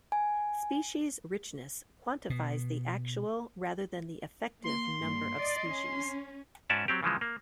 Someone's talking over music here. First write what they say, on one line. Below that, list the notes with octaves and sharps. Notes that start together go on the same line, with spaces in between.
Species richness quantifies the actual rather than effective number of species.
G#5
B2
A#3 C6
G2 A#3
D5 D#5
C#4
G#2 C#4 F#4 D5 E5 A5
F#3 C4 G4
C#3 E3 F3 G#3
A#3